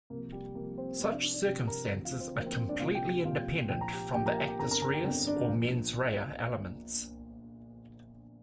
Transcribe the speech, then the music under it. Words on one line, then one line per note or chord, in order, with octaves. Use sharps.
Such circumstances are completely independent from the "actus reus" or "mens rea" elements.
C2 C3 F3 A#3 A#4
G3 G4
C2 C3 F3 A#3 A#4
C4 C5
C2 C3 F3 C4 C5
D4 D5
D4 D5
D4 D5
C2 C3 F3 G4 G5
A#4 A#5
D2 C3 F3
F4 F5
C4 C5
D2 C3 F3 A#3 A#4
C4 C5
D4 D5
C2 A#2 F3 F4 F5
G4 G5
C2 A#2 F3 F4 F5
A#1 A#2 F3 G5
A#5
G4 G5
A#1 A#2 F3 G4 G5
A#4 A#5
G4 G5
G4 G5
G1 F2 D3 A#4 A#5
A#4 A#5
A#4 A#5
G4 G5
G1 F2 D3 G4 G5
D4 D5
A#1 A#2 F3